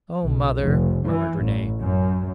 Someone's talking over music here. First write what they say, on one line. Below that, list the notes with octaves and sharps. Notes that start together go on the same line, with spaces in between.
"O mother!" murmured Renee.
B1
F1
E3
A1
F#2